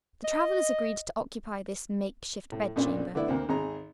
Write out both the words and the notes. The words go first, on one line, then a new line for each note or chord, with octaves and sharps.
The travelers agreed to occupy this makeshift bed-chamber.
D#5
A2
B1 F#2 A#2 C#4 D4 D5
D3 A3 B3 E4 D5
D2 A#3 C4
G#1 G#4 A#5